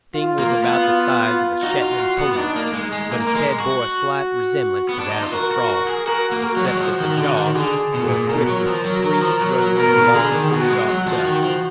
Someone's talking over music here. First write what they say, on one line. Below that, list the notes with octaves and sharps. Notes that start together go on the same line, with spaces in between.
The thing was about the size of a Shetland pony, but its head bore a slight resemblance to that of a frog, except that the jaws were equipped with three rows of long, sharp tusks.
F4
A#3
B3
F4
F4
D#4 F#4
F4
F4
B3
B3
D4 D#4
A#3
G#3 D#4
G#3
A#3 A#4
A#3
G#3
F#4
B3
D4
D#4
F4
F#4 A#4
F#4
F#4
G#4
F#4 A#4
A#3
F#4
F#3
G#3
F#3
F3
D#3
D3
D#3
D3 G#4
B2
A#2
B2 A#4
F#3
F3
F#3
F#3
F3
F#3
F#3
B2 A#4
B2
D3 G#4
D#3
B2 F#4
G#3
F#3
F3
D#3
F3